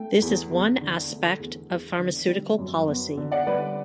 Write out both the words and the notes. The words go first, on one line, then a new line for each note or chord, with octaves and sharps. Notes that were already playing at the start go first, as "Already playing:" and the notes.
This is one aspect of pharmaceutical policy.
Already playing: A3 G5
E2
E2
D3
A3
E2
E2
D3
G3
F#2
B3
D3
D5 F#5
G3 B4 D5